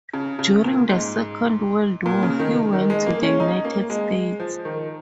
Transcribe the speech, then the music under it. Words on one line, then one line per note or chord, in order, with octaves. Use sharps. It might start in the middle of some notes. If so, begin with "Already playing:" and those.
During the Second World War, he went to the United States.
C#3
C#3
A#2
G#2
A#2
C#3
D#3
D#3
G#3
A#3
C#4
D#4
A#3
G#3
F3
D#3